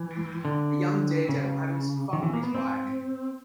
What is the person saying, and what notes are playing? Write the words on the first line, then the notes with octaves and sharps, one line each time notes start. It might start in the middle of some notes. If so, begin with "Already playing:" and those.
A young daredevil having some fun on his bike.
Already playing: E3
D3
C#3
D#3
E3
A#3
B3
C4